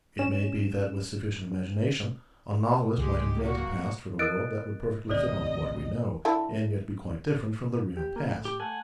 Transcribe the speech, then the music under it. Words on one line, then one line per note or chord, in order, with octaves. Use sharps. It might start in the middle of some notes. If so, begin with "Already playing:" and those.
It may be that, with sufficient imagination, a novelist might invent a past for the world that would perfectly fit on to what we know, and yet be quite different from the real past.
C#4 E7
C#2 G#3 G4
A#3 F#4
A4 A#4 D#5 F#6 A6 D7
A1 D#2 C3 A4 C5 D5 D#5
D3 E4 A4
G4
A#3
A2
G4
A3 F#5 G#5